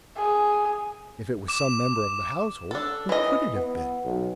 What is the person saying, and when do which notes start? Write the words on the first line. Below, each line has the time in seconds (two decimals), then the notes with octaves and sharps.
If it was some member of the household, who could it have been?
0.17 G#4
1.48 D6 E7
2.71 D4 A4
3.09 E3 D#5
3.55 B3
4.04 B1